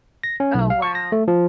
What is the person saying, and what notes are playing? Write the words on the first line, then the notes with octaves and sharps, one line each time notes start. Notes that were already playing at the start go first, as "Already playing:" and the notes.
Oh, wow.
A#6
C#4
B1
F5
C#6
A#6
A3
F3